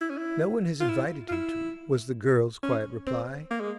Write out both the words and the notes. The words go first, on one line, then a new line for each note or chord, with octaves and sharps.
'No one has invited him to,' was the girl's quiet reply.
E4
C#4
E4
F4
E4
F4
E4
C#4
C4
A#3
G#3